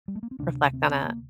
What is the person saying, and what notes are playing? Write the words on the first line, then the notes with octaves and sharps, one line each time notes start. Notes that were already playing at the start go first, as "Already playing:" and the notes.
reflect on a
G3
A3
A#3
C4
D2 C3 D4
C4
C4
A#3